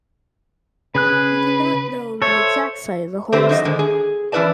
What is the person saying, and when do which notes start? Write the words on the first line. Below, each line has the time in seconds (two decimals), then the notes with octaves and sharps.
We do not know the exact site of the homestead.
0.95 C#3 G#4 B4 F#6
2.22 A4 C5 C#5 E5
3.32 D3 A3 C4 G4 B4 C5
3.49 D#3 F#3 D#4 C5 C#5 D#5
3.65 D3 D#3 G#3
3.79 G#4
4.32 E3 C#4 E4 B4 D5 A5